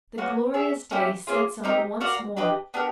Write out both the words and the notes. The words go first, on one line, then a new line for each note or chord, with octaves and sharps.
The glorious day sets on once more.
A#3 C#4 F#4 B4
G#4 C#5 E5
A#3 C#4 E4 G4
A#3 C#4 F4 G#4
C4 D#4 G4 A#4
F#4 A#4 D5 F5
D4 G4 B4 D#5
B3 D4 G4 A#4